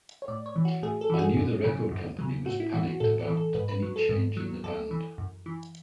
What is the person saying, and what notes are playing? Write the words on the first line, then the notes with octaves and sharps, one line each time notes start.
I knew the record company was panicked about any change in the band.
C#5
A2 D5
C#5
E3
F#4
A2 G#4
A4
E3 F#4
G#4
F#2
C#3 F#3
F#2
C#3 F#3
A2 F#4
E4
E3 F#4
F#4
A2 A4
A4
E3
A4
G#2 B4
B4
F#3
A4
G#2
F#3
F#2 A4
E3
F#2
E3